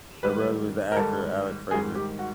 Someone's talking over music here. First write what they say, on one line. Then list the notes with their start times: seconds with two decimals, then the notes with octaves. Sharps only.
Her brother was the actor Alec Fraser.
0.23 G#2 D#3 G3 B4
0.92 A#4
0.96 G#2 D#3 G3 A4
1.71 G#2 D#3 G3 G#4
1.95 G4
2.19 F#4